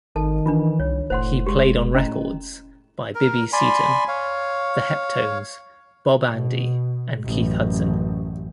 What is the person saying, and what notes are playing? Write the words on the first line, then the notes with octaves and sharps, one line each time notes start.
He played on records by Bibi Seaton, The Heptones, Bob Andy and Keith Hudson.
G#1 D#3 A4 A5
E3 D4 F4
C2 C#5
F1 A2 C5 F#5 C6
G#3 G4 G#4 C6
A2 C#4 D#5 A#5
A#4
D5 G#5 B5 C6
C#5 F5
B2
A1 F#2